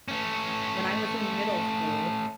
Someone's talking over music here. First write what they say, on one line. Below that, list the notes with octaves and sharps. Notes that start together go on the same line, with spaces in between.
When I was in middle school
A3 C#4